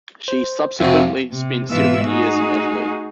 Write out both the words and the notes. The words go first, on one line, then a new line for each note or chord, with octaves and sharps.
She subsequently spent several years in Italy.
C5
F2 C3 F#4 C5 E5
C3
G#2 B2 E3 F4 E5 E6
A3 D#4 F#4 G#4